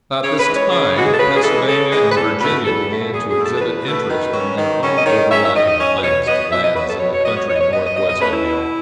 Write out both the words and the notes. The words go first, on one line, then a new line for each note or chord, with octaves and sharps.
About this time, Pennsylvania and Virginia began to exhibit interest in their own overlapping claims to lands in the country northwest of the Ohio.
C#3 C#5
B4
E3 G#3
C#5
C#3
E3 G#3 F#4
G#4
A4
C#3 B4
G#4
E3 G#3 A4
C#3 A4
E3 G#3 G#4
B4
E2 A4
B2 A3 B4
E2 A4
B2 A3
E2 G#4
G#4
B2 A3
A4
A4
E2 B4
B2 A3
D#3
F#3 C#4
D#3
F#3 C#4
D#5
D#3 C#5
F#3 C#4 E5
E5
D#3 D#5
F#3 C#4
B4
B2 C#5
F#3 B3 D#5
B2 E5
D#5
F#3 B3 B4
A4
B2 C#5
C#5
F#3 B3 D#5
C#5
B2 C#5
D#5
C#5
F#3 B3 D#5
D#5
B2 D#5
D#5
A3 C#4 B4
E4
B2